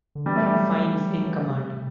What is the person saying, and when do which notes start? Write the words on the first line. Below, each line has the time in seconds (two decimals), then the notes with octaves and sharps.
Fines in command.
0.15 D3
0.25 E3 G3
0.36 A3
0.46 G3
0.56 F#3
0.86 E3
1.07 F#3
1.17 F#3
1.27 E3
1.47 C3